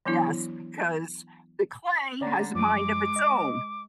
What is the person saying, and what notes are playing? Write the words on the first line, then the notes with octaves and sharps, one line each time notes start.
Yes, because the clay has a mind of its own,
E3 F#3 B3 D4 E4
D3 C#4 D5 A#5
F#2 F3 G#3 D6
D#5